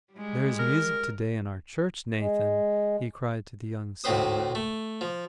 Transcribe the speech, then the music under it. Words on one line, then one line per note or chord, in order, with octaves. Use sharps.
"There is music to-day in our church, Nathan!" he cried to the young saddler.
G3 G#3
A#4
G#3
D2 A2 C4 B4 C5 D#6
A3
F3